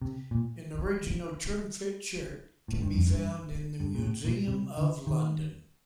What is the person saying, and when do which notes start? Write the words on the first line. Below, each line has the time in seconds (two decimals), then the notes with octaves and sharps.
An original Trimfit shirt can be found in the Museum of London.
0.02 C3
0.31 A#2
2.68 A2
2.82 G2
2.94 F2
3.08 G2
3.80 G2
3.95 A#2
4.03 A2
4.24 A#2
4.48 C3
4.77 D3
5.07 D#3